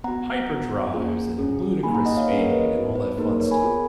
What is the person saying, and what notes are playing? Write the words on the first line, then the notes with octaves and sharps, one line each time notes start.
hyperdrives and ludicrous speed and all that fun stuff.
B3 F#4 F#5 A#5
B3 F#4
A#3 C#4 F4 G#4
C#4 F4 G#4
A#3 D#4 G#4 G#5 B5
F#5 A#5
D#5 F#5
C#5 F5
A#3 C#4 G#4 B4 D#5
A#4 C#5
B4 D#5
B3 D#4 F#4 B4
B4
A#3 D#4 G#4 A#4
A#4 C#5
G#5 B5
B3 F4 G#4